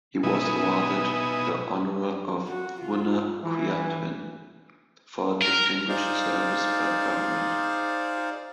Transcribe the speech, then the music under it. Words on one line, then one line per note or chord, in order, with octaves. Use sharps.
He was awarded the honour of "Wunna Kyawhtin" for distinguished service by the government.
B2 D#4 B4 E5 G#5 D#6
F#4
F4
E3
A#4
D#4 G#4 C5 D5 F5